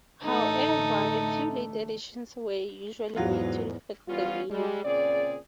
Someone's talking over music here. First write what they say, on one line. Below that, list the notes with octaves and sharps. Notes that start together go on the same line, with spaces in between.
However, a few late additions are usually made to reflect the winner.
A1 D3 A3 D#4 A4
E2 G#2 F#3 F4
E3 G3 B3 C#4 F4
G3 G#3
A#2 C#3 C4 G#4 D5